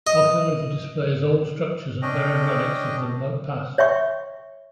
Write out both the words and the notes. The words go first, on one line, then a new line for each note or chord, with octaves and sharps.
Archaeology displays old structures and buried relics of the remote past.
D#5
C#4 D4 D#5 G5
C#5 E5 G5 C#6